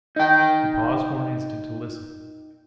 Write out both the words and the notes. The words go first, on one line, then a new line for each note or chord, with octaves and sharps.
He paused for an instant to listen.
D#4 G5